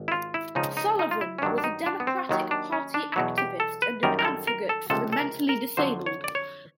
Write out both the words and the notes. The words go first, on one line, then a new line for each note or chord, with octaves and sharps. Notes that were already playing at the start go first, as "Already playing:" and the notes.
Sullivan was a Democratic Party activist and an advocate for the mentally disabled.
Already playing: G#1
E4
F4
E4
C#2 C#3 F3 D#4
D#4
D#4
F4
E4
C#4
G2 D#3 F#3 D4
D4
D#4
D4
B3
C4
D#2 D#3 F#3
D4
C#4
D4
E2 B2 F#3
G4
A4
B4
F#2 D#3 G3 A#4
A#4
A4
A#4
A4
C#2 C3 F3 A4
A4
A#4
A#4
F2 D3 F#3 C5
C#5
D5
C#5